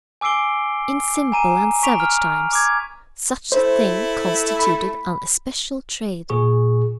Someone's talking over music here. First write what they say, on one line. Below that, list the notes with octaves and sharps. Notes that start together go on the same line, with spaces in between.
In simple and savage times such a thing constituted an especial trade.
G#5 D6 E6 C7 D7 G7
G#5 A#5 D#7
A#5 C#6 B6 D7 F7
F6
D6 G#6
A3 E4 C5
B5
A#2 G#4 C#6